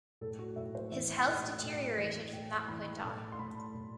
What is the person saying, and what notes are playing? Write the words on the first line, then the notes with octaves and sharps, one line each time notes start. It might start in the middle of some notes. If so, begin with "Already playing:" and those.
His health deteriorated from that point on.
A2 A4
F#4
A2 E5
C5
E3 E5
G5
A2 F#5
A2
E3
A2 G5
E3 B5
A2 A5
C6
A2 B5
A2